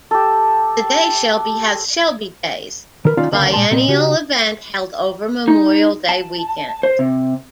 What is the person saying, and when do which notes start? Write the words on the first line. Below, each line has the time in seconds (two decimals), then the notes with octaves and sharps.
Today Shelby has "Shelby Days", a biennial event held over Memorial Day Weekend.
0.11 G4 A4
3.05 D#3 A#4 B4
3.17 D#3 C#4 D#4 F4 D5 F5
3.32 C#2 D3 A#3 C#4 E4 F5
3.52 A#2 G#3 G#5 A5 C6
3.71 C2 A#2 C4 D#5
3.88 C#3 F#4 G4
5.48 D#4
6.09 A5
6.83 C5
6.99 C3